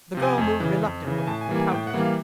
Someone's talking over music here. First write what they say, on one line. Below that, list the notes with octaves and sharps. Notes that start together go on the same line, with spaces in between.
The girl moved reluctantly, and pouted.
C3 F3
G#5
F2
C#3 E3
F2
C#3 E3
G#5
A2 A5
G#5
E3 G3 A#3
G#5
A2 G5
F#5
E3 G3 A#3
F5